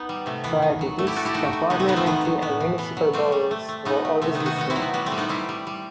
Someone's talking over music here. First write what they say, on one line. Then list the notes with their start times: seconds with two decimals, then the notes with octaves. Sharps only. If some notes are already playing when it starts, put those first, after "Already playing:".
Prior to this, the Parliamentary and Municipal Boroughs were always the same.
Already playing: B3 D#4
0.09 G3
0.26 C3 A3
0.44 E3 B3
0.62 D#3
0.81 F#3
0.99 A3
1.07 E4 G4
1.16 A3 F#4 A4
1.25 E4 G4
1.34 A3 D#4 F#4
1.53 A3
1.70 C3 B3 D#4
1.80 A3 C4
1.88 F#3 B3 D#4
1.96 A3 C4
2.06 D#3 B3
2.25 F#3
2.42 A2 B3
2.60 E3
2.78 B2 B3
2.97 F#3
3.13 G3 A3 C4
3.32 G3
3.51 A3
3.69 A3
3.85 A3 B3 D#4
4.05 A3
4.22 C3 A3 C4
4.34 B3 D#4
4.40 D#3
4.46 D#4 F#4
4.56 B2 D#4 F#4
4.70 C4 E4
4.76 F#3
4.82 B3
4.94 G3 B3
5.06 A3 C4
5.12 G3
5.18 B3 D#4
5.29 G3 C4 E4
5.49 G3
5.67 G3